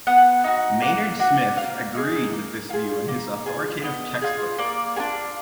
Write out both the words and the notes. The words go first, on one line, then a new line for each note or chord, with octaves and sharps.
Maynard Smith agreed with this view in his authoritative textbook.
B3 F#5
D#4 F#4
A#3 F#5
D4 F#4
A#3 F5
D#4 G#4
A#3
F4 G#4
A#3
F4 G#4
B3 D#5
F4 G#4
A#3 D5
D4 F4 G#4